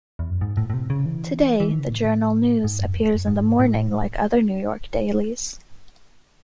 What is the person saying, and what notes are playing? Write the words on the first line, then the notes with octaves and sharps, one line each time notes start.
Today, "The Journal News" appears in the morning like other New York dailies.
E2
F#2
G#2
A2
A2
C3
C#3
E3
E3
D#3
C#3
A2
G#2
F#2
E2
F#2
G#2
A2